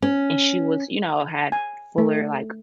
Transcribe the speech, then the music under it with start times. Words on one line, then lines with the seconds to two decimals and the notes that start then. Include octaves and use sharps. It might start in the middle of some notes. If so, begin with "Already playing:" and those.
and she was, you know, had fuller like
0.02 C#4
1.52 G#5
1.98 A3